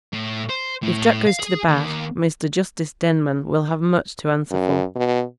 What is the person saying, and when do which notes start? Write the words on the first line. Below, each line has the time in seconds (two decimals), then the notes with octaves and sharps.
If Jack goes to the bad, Mr. Justice Denman will have much to answer for.
0.13 A2
0.49 C5
0.83 A2
1.27 F5
1.40 G#4
1.69 D#2
4.51 F#2
4.96 B2